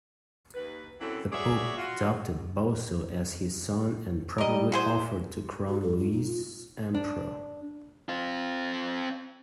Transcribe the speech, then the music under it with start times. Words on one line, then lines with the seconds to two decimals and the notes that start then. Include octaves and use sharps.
The Pope adopted Boso as his son and probably offered to crown Louis emperor.
0.55 D#2 B4
1.00 F#2 E3 F#3 A3 C4 E4
1.32 F#4 G#4 B4 C#5 D5 E5
1.77 F4 F#4
4.38 G3 A#4 D#5
4.72 E4 F#4 G#4 C5
5.68 F#4
5.83 A4
5.98 F4
6.12 D#4
6.26 F4
6.94 D4
8.09 C4 F4